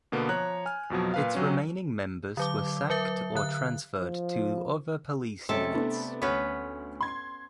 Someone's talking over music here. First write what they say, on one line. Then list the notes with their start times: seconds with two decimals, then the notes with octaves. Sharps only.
Its remaining members were sacked or transferred to other police units.
0.12 B2 D3 A#3 B3
0.29 F3 C#5 A#5 F#6
0.66 G#5 F6
0.90 F2 B2 F3 F#3
1.14 A#2 B4 F5
1.34 C3 F#3 C#4
2.37 D3 F#3 D6
2.90 F#3 A#4 E5
3.35 D3 F#6
4.00 F3
5.49 C3 G#3 A3 C#4 A4 A5
5.74 A3 B3 D4
6.22 D2 B3 C#4 B4
7.01 C6 G#6